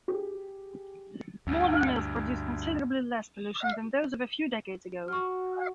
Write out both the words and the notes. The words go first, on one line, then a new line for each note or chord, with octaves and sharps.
Modern mills produce considerably less pollution than those of a few decades ago.
G4 G#4
D2 G2
F#4 C#6 F6